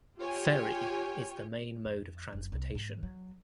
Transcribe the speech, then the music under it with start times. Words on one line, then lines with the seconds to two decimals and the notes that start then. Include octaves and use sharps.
Ferry is the main mode of transportation.
0.19 F4 G4 C#5 G5 G#5
1.85 F2
2.33 F#1
2.52 C2
2.75 G#2
3.03 F#3